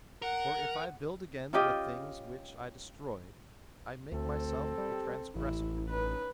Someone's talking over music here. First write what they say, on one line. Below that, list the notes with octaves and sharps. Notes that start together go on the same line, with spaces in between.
For if I build again the things which I destroyed, I make myself a transgressor.
A#4 F#5
C#4 F4 G4 D#5
D2 C4 A4
G3
A1 E4
C#4 D#4 B4